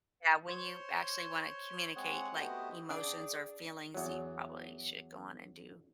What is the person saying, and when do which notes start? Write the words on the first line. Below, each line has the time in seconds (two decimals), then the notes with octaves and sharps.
yeah, when you actually wanna communicate, like, emotions or feelings, you probably should go on and do
0.48 C5 C#5 C6
1.96 G#3 C4 G#4 C#5 F#5
2.34 A3 B3 F#4 G4 C5 D#5
2.90 D4 G#4 G5
3.94 E2 F#3